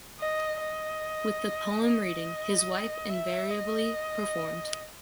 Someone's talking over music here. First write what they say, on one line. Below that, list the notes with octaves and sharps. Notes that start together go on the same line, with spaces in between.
With the poem reading, his wife invariably performed.
D#5
D#5
D#5
E5
D#5